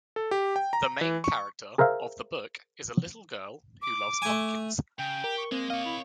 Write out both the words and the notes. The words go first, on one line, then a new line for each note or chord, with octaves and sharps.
The main character of the book is a little girl who loves pumpkins.
A4
G4
G5
A#5
E3
C#6
G#4 A#4 C5 E5 F5
D6
A3 G#5
C#3 G5
G4 A#4
C#6
G#3 A#3 C4
C#5 D#5 F5
E4